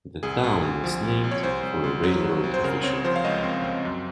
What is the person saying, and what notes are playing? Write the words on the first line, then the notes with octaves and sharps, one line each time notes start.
The town was named for a railroad official.
C2 G#4
C2
C2
F3
C2
C2
C#5
C2 C5
C2
C2
F#3
F#3
C2
C5
C#3 A#4
C4 C#5
F3 C5
F5
C#2 D#5
C4
C4
F#2